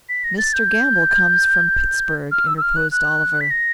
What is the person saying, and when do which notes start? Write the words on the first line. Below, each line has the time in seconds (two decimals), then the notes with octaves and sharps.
"Mr. Gamble comes from Pittsburg," interposed Oliver.
0.09 B6
0.24 A#6
0.38 A6
0.54 G6
2.32 F6
2.47 E6
2.58 E6
2.62 F6
2.76 F#6
2.92 F#6
3.41 B6
3.51 A#6